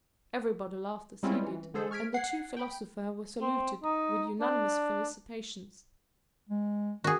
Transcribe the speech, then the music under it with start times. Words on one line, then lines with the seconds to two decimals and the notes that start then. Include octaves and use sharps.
Everybody laughed as he did, and the two philosophers were saluted with unanimous felicitations.
1.23 G3 G#3 C4 C#4 E4 F4
1.43 E3
1.74 D3 G#3 G#4 A4 C5
1.91 C#6 F6 G#6 B6 D7
2.14 F#5 G#6 C7
2.57 G5 B5
3.41 C4
3.83 D#4
4.41 D4
6.49 G#3
7.04 D#3 F#4 G#4